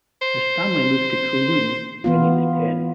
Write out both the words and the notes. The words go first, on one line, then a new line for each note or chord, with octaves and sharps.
His family moved to Kowloon when he was ten.
C5
E3 B3 F4